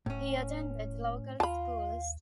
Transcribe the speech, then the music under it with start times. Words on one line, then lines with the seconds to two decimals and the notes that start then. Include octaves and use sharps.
He attended local schools.
0.06 E1 A2 C#4
1.40 D#2 F4 F5 A5 B5